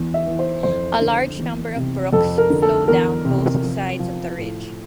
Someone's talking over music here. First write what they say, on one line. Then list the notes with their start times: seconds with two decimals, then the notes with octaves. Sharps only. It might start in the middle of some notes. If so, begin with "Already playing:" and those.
A large number of brooks flow down both sides of the ridge.
Already playing: E2
0.14 E5
0.26 E3
0.39 C5
0.63 F2 C5
1.01 D3
1.39 E2
1.76 C3
2.13 F2 A4
2.38 A#4
2.50 D3
2.62 A4
2.88 E2 A#4
3.25 C3
3.63 F3
3.99 F3
4.37 A2